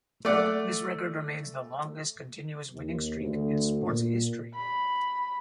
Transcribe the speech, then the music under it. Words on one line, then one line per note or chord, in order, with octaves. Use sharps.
This record remains the longest continuous winning streak in sports history.
A3 D5 F#5
D#2
D2
A#2
B5